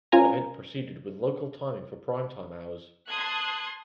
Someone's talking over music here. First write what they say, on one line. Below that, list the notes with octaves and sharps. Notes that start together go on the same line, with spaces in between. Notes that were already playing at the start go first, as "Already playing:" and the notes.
The event proceeded with local timing for prime time hours.
C#4 F4 A#4 G#5 A#5
A5 C6 D#6 F#6 G#6